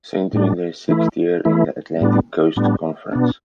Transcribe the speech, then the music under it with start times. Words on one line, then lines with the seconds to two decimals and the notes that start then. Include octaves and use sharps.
Center in their sixth year in the Atlantic Coast Conference.
0.33 A2 G3 D4
0.89 E3 A3 E4
1.45 E3 A3 E4
2.01 A2 G3 B3 D4
2.56 A2 G3 B3 D4
3.12 B2 B3 D4